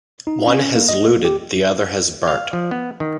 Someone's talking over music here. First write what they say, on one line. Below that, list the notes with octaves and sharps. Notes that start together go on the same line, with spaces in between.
One has looted, the other has burnt.
D#4
C#4
A#3
D#5
A#3
G4
F5
F3
B3
D#3